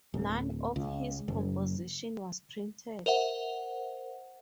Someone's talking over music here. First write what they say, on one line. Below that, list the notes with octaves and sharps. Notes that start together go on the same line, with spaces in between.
None of his compositions was printed.
D1
C#2
F#1
A#4 C5 E5 F#5